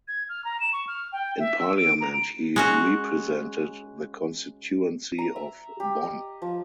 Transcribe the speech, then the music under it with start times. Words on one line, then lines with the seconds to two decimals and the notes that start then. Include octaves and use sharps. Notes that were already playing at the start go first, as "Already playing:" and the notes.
In Parliament he represented the constituency of Bonn.
0.08 G#6
0.29 F6
0.45 A#5
0.60 E7
0.73 C#6
0.88 F6
1.13 G5
1.39 E5
1.60 E6
1.77 D7
2.01 A#5
2.13 D7
2.56 G#3 C#4 F#4
5.18 A#5
5.36 E5
5.80 G4
6.04 D#5
6.42 F3